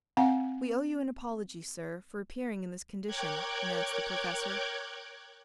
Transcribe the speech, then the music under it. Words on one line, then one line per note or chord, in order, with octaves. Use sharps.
"We owe you an apology, sir, for appearing in this condition," announced the Professor.
C4 F5 F#5 G#5
A#4 C#5 G5 D6 F#6 G#6